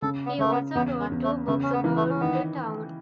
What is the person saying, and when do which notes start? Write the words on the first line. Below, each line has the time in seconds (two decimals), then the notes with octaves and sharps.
He also wrote two books about the town.
0.02 C#3 A4
0.26 B3
0.39 C#3 A3
0.51 B3
0.75 E2 B3
1.00 G#3
1.11 E2
1.24 A3
1.47 C#3 A3
1.63 C#4
1.73 B3
1.84 E3
1.96 A3
2.09 C#4
2.20 D#3 B3